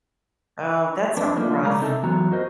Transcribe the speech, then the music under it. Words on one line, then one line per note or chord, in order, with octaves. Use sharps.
Oh, that's a rough
F2 D4 B4
F3 A3 A#3 D4 D#4
C#3 G#3 A#4 D5 A#5
C3 D#4 A4 A#4 E5 A5
F#2 E3 B3 F#4 A#5
F#4 A#4 C5 D#5